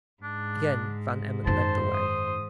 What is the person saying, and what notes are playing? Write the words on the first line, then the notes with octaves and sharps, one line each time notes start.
Again Van Emmon led the way.
G#2 D4
F#2 D#3 C5 A5
D#6